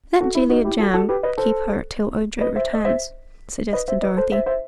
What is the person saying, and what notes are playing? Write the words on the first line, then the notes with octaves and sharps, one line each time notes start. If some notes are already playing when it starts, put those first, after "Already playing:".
"Let Jellia Jamb keep her till Ojo returns," suggested Dorothy.
F#4 A4
E4
D#4 F#4
E4 G4
F#4 A4
F#4 A4
G4 B4
B4 D#5
A4 C5
B4 D#5
C5 E5
D#5
C5 E5
B4 D#5
C5 E5
B4 D#5
A4 C5
C5 E5
C5 E5